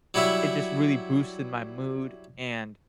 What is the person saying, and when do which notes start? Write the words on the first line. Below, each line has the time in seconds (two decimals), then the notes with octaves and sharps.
It just really boosted my mood, and
0.14 F#3 G3 E4 F#4 E5